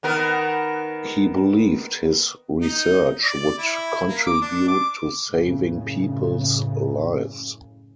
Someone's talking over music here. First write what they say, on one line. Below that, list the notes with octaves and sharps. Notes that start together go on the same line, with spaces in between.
He believed his research would contribute to saving people's lives.
D#3 B3 A#4
D#4
D5
E4
A#3
D6
D4
D6
F#1 A2 C#3